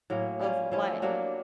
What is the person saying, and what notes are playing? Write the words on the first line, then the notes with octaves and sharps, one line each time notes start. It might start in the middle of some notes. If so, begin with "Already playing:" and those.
of what
A2 F#3 A#3 C#4
G3 A#3 C#4 F4
F3 A3 C#4 E4
F#3 A#3 D4 G4